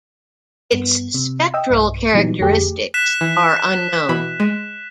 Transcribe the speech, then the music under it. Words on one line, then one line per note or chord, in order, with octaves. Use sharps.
Its spectral characteristics are unknown.
G2 B3
C3
D#5 G5 E6
B1 G2
A#2 E3 F#3 G3 B3 D#4
F2 D3 A3 G4 G#4
F#6 B6 E7
E3
B2 E3 B5
G#3